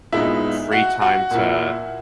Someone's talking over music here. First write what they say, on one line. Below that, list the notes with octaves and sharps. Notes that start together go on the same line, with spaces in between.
free time to
A#2 G#3 B3 D#4 E4 E5
F#4 F#5
F#4 F#5
A#2 A#3 E4